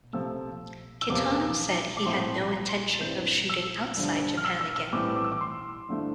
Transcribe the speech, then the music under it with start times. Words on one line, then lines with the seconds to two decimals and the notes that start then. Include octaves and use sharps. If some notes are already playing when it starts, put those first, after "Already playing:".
Kitano said he had no intention of shooting outside Japan again.
0.13 C3 F3 A3 E6
1.02 E6
1.10 E2 C3 F3 A#3 D6
1.97 D6
2.05 A2 F3 C4 E4 C6
2.52 A#5
2.69 C6
2.94 A6
3.01 G2 E3 G3 C4 E4 G6
3.50 E6
3.97 G2 D3 F3
4.37 F6
4.45 E6
4.61 E6
4.76 E6
4.93 A2 E3 G3 C4 D6
5.16 D6
5.24 E6
5.32 D6
5.41 C6
5.88 G2 D3 F3 A3 E4